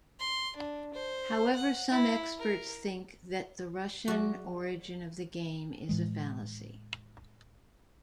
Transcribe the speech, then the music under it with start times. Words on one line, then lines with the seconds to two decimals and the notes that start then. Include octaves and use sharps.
However some experts think that the Russian origin of the game is a fallacy.
0.19 C6
0.56 D4
0.94 C5
1.55 F#5
1.91 E4
2.38 A#4
4.08 F#3 F#4 G#4 D5 E5
5.89 A2 E3 G#3